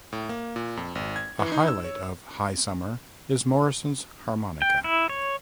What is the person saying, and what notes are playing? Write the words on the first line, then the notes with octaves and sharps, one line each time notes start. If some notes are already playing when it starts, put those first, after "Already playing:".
A highlight of "High Summer" is Morrison's harmonica.
A2
A#3
A#2
F2
G#1
G#6
E3
D#4
E6
C#5
G5
E4
C#5